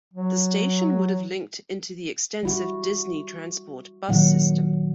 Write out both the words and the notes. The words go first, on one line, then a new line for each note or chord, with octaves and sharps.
The station would have linked into the extensive Disney Transport bus system.
F#3
G3 E4 F#4
A#2 D#3 F#3 F#5